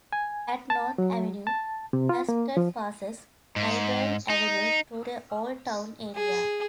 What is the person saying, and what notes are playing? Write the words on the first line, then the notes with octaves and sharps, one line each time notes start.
At North Avenue, Halsted passes Clybourn Avenue, through the Old Town area.
G#5
A5
F#3
A5
C3
F4
A#3
F3
G#2
D#4
G#4